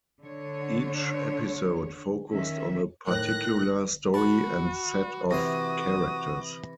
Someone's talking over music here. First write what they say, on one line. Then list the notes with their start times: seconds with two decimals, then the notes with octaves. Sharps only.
Each episode focused on a particular story and set of characters.
0.22 D3 C#5
2.31 D#3 C#4 E5
3.07 A2 D#3 F#6 A#6
4.14 F#4 A5 B5
5.31 C3 E3 F#4 C6 D#6 A#6